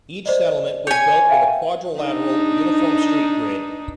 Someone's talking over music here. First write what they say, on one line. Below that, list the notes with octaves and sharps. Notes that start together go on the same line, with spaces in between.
Each settlement was built with a quadrilateral, uniform street grid.
C5 D5 D#5
C#5 G#5 G6
E5 F5 G5
D4 D#4